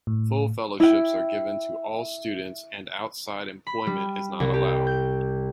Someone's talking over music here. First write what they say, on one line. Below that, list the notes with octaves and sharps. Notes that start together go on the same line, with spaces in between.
Full fellowships are given to all students and outside employment is not allowed.
A2
E4 G5
B5
G3
C2
G4
G6